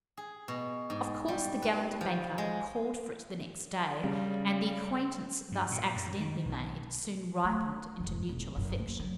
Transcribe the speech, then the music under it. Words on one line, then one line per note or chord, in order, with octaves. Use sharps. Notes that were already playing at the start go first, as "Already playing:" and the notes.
Of course, the gallant banker called for it the next day, and the acquaintance thus accidentally made, soon ripened into mutual affection.
G#4
B2
G#2
G3
B4
F3
G#3
C#3 G3
G2
A#2
F#2
D#3
B1
A3
F1 G#2
E1
F#1 F#2
D#2 A#3
F#3